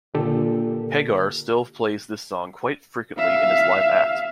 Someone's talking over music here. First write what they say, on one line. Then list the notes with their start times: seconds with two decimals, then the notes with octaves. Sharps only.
Hagar still plays this song quite frequently in his live act.
0.15 A#2 D3 G4 A4
3.18 E5 F5